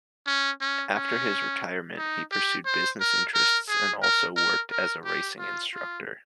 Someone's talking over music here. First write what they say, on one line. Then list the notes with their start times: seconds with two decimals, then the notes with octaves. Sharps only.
After his retirement, he pursued business interests and also worked as a racing instructor.
0.27 C#4
0.61 C#4
0.95 C#4
1.98 D#4
2.32 G4
2.66 C5
3.00 A#4
3.35 A#4
3.69 G#4
4.02 A#4
4.37 A#4
4.71 A#4
5.05 G4
5.39 F4
5.74 F4